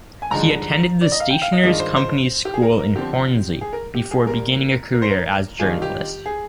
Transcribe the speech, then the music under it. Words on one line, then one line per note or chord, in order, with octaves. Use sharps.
He attended the Stationers' Company's School in Hornsey before beginning a career as journalist.
G#5
G2 D3 F3 G#3 D#4 A#5
D5
D#5
F5
G5
F5
D#5
G2 D#3 G#3 D4 F4 D#5
C5
C5
G4
G#4
A#4
A#4
D3 F3 C4 G4
G#4
A#4
G4
G#4
A#2 G3 A#3 A#4
A#4
C5
A#4
D#3 G3 D4 F4 G#4
G4
G#4